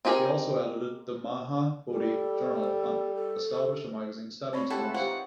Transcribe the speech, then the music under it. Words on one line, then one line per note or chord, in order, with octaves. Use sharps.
He also edited the "Maha Bodhi Journal" and established a magazine, "Stepping Stones".
C4 D#4 G4 G#4 A#4
G3 A4
A4
C4 C#5 D5 B5
E4 F4 G4 A4 E5 F#5
G#3 B4
E4 F4 G4 C5 F#5
D#4 A#5